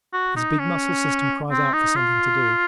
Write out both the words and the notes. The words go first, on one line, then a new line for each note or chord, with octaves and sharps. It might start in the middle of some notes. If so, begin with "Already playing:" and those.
His big muscle system cries out for something to do.
F#4
D#4
C#4
C4
D#4
F4